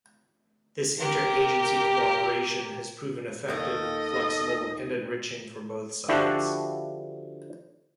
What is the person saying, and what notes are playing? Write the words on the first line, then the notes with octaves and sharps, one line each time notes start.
This inter-agency cooperation has proven effective, flexible and enriching for both sides.
G4 A#4
D#2 D#3 A#3 A4 D#5
D3 F3 D4 E4 F#4 G4